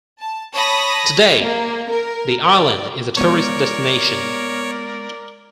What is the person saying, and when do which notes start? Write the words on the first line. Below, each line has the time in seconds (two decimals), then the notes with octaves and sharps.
Today, the island is a tourist destination.
0.19 A5
0.54 C#5 A5 B5 D#6 A#6
1.42 A#3
1.92 A#4
2.49 D5
3.17 G#3 B3 A#4 C#5 D5 C#6